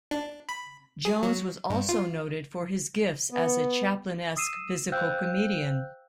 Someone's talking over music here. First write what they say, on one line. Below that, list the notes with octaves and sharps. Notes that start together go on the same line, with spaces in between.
Jones was also noted for his gifts as a Chaplinesque physical comedian.
D4
B5
G#4
F#3
G2
F4
B3
D#6 E6 C7 D#7 E7
C5 F5 G5 E6 F#6 G6